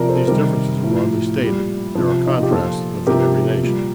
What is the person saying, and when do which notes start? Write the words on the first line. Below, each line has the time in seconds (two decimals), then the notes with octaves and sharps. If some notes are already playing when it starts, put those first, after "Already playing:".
These differences are broadly stated; there are contrasts within every nation.
Already playing: C3 F3 A#4 D5
0.09 A4 C5
0.27 C3 D#3 G3 G4 A#4
0.83 A2 F3
1.39 A#2 G3
1.95 C3 F3
2.26 D#4
2.35 F4
2.43 G4
2.51 A#2 F3 F4 A4
3.07 C3 F3 G4 A#4
3.63 A#2 G3